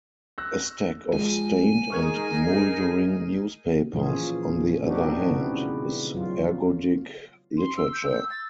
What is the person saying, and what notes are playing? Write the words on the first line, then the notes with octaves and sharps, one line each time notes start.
A stack of stained and mouldering newspapers, on the other hand, is ergodic literature.
E6 F#6 A#6
F3 G#3 G#5
D#4 G#4 A#4 C#6 F6 G#6
A#2 E3 F3 C#4 F4 G#4
A3 C4 D4 D#4 F#4 G4
C#3 B3 E4
F#3 F4
C6
E6
G6
E6
A6